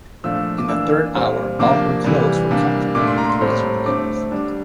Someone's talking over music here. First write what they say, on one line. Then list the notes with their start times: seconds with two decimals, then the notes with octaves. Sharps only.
In the third hour all her clothes were cut from her with razor blades.
0.24 A#2 F3 A3 D4 E6
0.58 D6
0.69 E3 A#3 D4 E6
1.14 A#2 G3 C4
1.59 C3 F3 A#3 D4 D6
2.04 C3 E3 G3
2.51 C3 G3 A#3 D4
2.95 A#2 A3 D4 D6
3.07 C6
3.18 A#5
3.29 C6
3.41 A2 G3 C4
3.86 D3 A3 C4 D6
4.31 D3 G3 D4